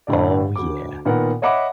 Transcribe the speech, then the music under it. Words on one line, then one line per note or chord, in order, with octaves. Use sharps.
Oh, yeah.
A2 D3 D5
D2 D6
A#2 D#3 B3 A#4 F#5
C#5 D#5 E5 F#5 B5 D6